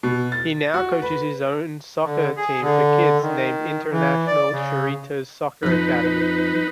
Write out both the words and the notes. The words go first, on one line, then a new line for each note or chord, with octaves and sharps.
He now coaches his own soccer team for kids named International Cerritos Soccer Academy.
B2
A6
F#4
B4
D3
G#4
D3
D#3
E3
D5
C#3
F2 F3 D#4 B4